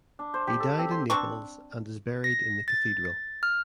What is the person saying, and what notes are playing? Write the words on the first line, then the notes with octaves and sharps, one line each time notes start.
He died in Naples and is buried in the Cathedral.
D4
C5
G4
A4
C4
C6
C4 D4 C#6
A#6
A6
F6